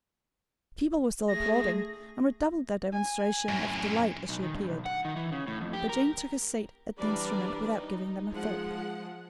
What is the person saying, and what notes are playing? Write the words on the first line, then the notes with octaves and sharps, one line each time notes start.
People were still applauding, and redoubled their demonstrations of delight as she appeared; but Jane took her seat at the instrument without giving them a thought.
A3 G#4 A#6
G#5
F#2 A2
B1
D#3
G2
B1
F#5
D#3
E3
C#3
A2
F2
G4
A#4
E3 G3 D4 A#4 B4 D5
D#4
F3 G#3 F#5